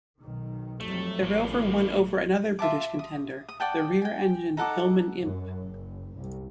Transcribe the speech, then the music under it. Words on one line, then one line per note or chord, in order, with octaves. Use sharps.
The Rover won over another British contender, the rear-engine Hillman Imp.
B1 D#3
F2 F#3 G3 A3
A1 A2 A#3
F4 E5 A5 D6
D#6
D#6
D5 F#5 G5 A5
G5 G#5
D#4 A4 F#5 D6
F#2
F#1
C2